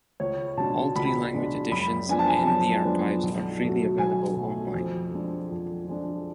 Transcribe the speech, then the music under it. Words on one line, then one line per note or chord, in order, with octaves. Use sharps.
All three language editions and the archives are freely available online.
C#2 C#5
B2 G#3 D4 A5
C#2 B5
B2 G#3 D4
F#2 B5
F3 G#3 B3 D4 G#5
A5
G#5
F#2 A5
F3 G#3 B3 D4
B1
B2 F#3 A3
B1 G#5
B2 F#3 A3
F2
F3 G#3 D4
F2
F3 G#3 D4